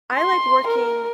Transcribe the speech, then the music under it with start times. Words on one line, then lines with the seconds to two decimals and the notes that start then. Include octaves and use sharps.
I like working
0.15 C6
0.68 A#4